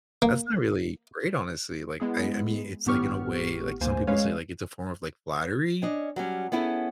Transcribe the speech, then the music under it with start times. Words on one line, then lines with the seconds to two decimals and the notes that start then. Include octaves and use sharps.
that's not really great, honestly. Like, I I mean, it's, in a way, like, some people say, like, it's a form of, like, flattery,
0.22 A#3
2.00 G#3 B3 E4 G#4
2.86 G#1 A2 B3 G4 C#6 F6
3.81 D2 A#3 C5 G#5
4.07 G#3 C#4 B4 C#5 F5
5.82 C#4 D4 D#5
6.16 F#3 G3 C#4
6.52 B3 C#4 E4 F4 G#4 A4